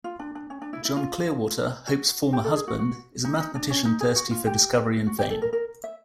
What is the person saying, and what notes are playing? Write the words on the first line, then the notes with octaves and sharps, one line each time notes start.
John Clearwater, Hope's former husband, is a mathematician thirsty for discovery and fame.
F4
D4
D4
C#4
D4
E4
E4
F4
F#4
G4
A4
G#4
F#4
F#4
D#4
D#4
D4
C#4
D#4
G#4
F#4
F4
G4
F#4
G4
A4
A#4
A#4
E5